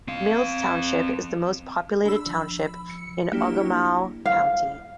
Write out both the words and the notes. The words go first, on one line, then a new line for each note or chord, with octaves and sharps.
Mills Township is the most populated township in Ogemaw County.
C4 F5
D4 B5 E6
F3
C#7
F#3 A#3 D4 E4 G4
F5